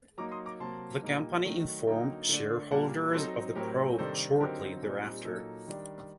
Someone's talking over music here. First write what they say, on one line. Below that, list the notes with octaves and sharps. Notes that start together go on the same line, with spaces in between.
The company informed shareholders of the probe shortly thereafter.
F#3 A#3 D#4 A#5 D6
C6 D#6
A#5 D6
C3 F#3 A#3 A5 C6
A#2 G3 A#3 D#4
D#3 F#3 A3 D#4
D3 F#3 A#3 D#4 G5 A#5
D3 A3 D4
A#2 G3 A#3 F#5 A5
F#3 C4 D#4 A4 C5
A2 F#3 C4 G4 A#4
C3 D#3 G3 D4 A4 C5
D3 F#3 C4 D#4 G4 A#4
A#2 G3 C4 D#4
A#2 F#3 A#3 D#4 A4
D#3 G3 D4